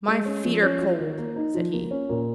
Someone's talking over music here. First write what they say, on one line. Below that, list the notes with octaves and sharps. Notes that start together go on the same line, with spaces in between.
"My feet are cold!" said he.
G#3
C#4
F3
C#4
F4
D#3
A#3
D#4
F3
A#3
C#4
A#2